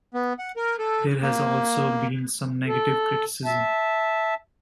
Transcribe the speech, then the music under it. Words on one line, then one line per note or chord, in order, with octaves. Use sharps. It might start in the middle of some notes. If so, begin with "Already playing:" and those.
There has also been some negative criticism.
B3
F#5
A#4
A4
A#3
A4
E5 A5